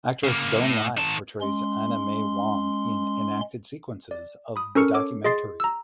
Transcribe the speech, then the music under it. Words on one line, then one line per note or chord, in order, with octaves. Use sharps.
Actress Doan Ly portrays Anna May Wong in enacted sequences of the documentary.
C#3 A#3
A2
D#3 A5
G#3 C#4 C6
D5
B5 D#6
C#4 A4 A#4 C#6 F6 C#7
A4 C#5 D6
G#4 D#5 C6 A6 C7
A#5 E6